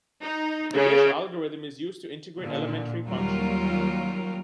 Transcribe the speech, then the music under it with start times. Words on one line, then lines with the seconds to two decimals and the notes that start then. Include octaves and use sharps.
The Risch algorithm is used to integrate elementary functions.
0.22 D#4
0.74 C#3
2.39 A#2 D3
3.07 D#2 F#3 G3 F4 A#4